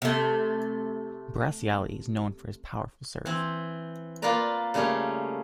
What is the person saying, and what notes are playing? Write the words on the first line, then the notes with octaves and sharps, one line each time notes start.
Bracciali is known for his powerful serve.
C3 A3
E3 C4
A#3 F4 A#4 B4 D5 A#5
C#3 G3 A3 A#3 C#4